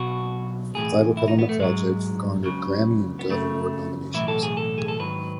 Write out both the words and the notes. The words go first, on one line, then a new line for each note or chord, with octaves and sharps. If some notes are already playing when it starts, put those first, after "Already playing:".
The title cut on the project garnered Grammy and Dove Award nominations.
Already playing: B1 B2 F#3 F#4
B1 A2 E3 G#4
E4
D#4
B3
A3
G#2 F#3 G#3
C#2 C#3 F#3
B3
F#2 C#3 F#3 A3
B1 A2 E3 E4
A4
G#4
A4
G#4
A4
G#2 D#3 F#3 B4